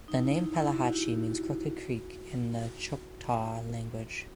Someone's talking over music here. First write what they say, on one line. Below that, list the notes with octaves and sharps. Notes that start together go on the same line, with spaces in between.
The name Pelahatchie means "Crooked Creek" in the Choctaw language.
D#4
E4
D#4
E4
F#4
G4
F#4
F#4